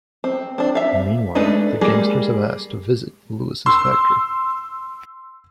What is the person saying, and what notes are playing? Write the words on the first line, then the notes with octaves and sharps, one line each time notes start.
Meanwhile, the gangsters have asked to visit Louis's factory.
C4
C4 D4
E5 F5
G#3 A3 D4 D#4 B4
G3 G#3 A#3 G#4
C6 E6